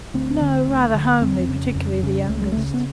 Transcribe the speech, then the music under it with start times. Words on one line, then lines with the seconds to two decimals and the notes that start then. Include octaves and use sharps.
'No, rather homely, particularly the youngest.'
0.14 D2 C4
0.41 D3
0.68 D2
0.95 D3
1.21 F2 C4
1.49 C#3
1.75 F2
2.03 C#3
2.29 C#2 A3
2.42 G#3
2.52 A3
2.57 C#3
2.74 B3